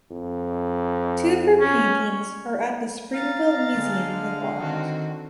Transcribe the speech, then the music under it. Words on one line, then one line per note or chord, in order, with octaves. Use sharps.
Two of her paintings are at the Springville Museum of Art.
F2
C#4
F5 A#5 A6
D3 G#3
D#3 C4 F#4